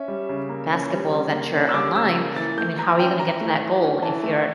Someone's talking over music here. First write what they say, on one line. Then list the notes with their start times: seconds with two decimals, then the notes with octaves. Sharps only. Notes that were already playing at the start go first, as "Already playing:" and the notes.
basketball venture online. I mean, how are you gonna get to that goal if you're
Already playing: C#4 E5
0.08 G3
0.29 C#3
0.49 A#3
0.71 C#4
0.91 G3
1.12 C#3
1.32 A#3
1.54 C#4
1.69 E6
1.74 G3 D6
1.95 C#3 E6
2.16 A#3
2.36 E3 A6
2.57 A3 G6
2.78 E3 A#5
2.99 C#4 G5
3.20 E3 A#5
3.41 A3
3.62 E3
3.83 C#4
4.02 E3 A5
4.23 A3